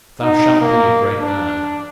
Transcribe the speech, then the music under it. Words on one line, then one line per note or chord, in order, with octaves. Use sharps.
Thou shalt be a great man.
D#4
A#3
D4